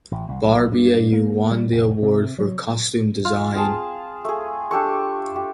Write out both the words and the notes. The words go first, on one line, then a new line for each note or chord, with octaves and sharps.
Barbeau won the award for costume design.
A1
C2
B1
G2
A#3
G3
F1
C3
F#3
F4
C4 G#4 A5
A3 G#4
D4 G4 A4 C#6
G4